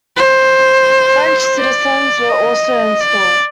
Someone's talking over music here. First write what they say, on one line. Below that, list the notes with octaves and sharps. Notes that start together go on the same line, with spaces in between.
French citizens were also installed.
C5
D5
D#5
D5